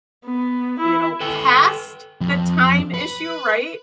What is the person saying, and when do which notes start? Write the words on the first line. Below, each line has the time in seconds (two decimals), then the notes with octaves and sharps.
you know, past the time issue, right?
0.25 B3
0.80 E4
1.20 A4 B4 G5
2.21 F2
2.94 B4